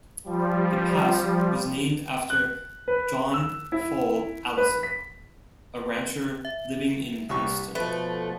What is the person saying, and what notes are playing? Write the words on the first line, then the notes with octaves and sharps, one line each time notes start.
The pass was named after John Fall Allison, a rancher living in Princeton.
F3 G3
F#6
B4
E6
E4
B4
B6
E5
C2 G3 C#6
B2 F3 A3 B4